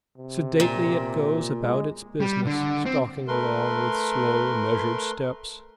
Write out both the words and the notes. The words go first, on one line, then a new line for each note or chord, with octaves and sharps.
Sedately it goes about its business, stalking along with slow, measured steps.
C3
A#2
G#3
G3
D3
C4
A3 A#4 B4 C6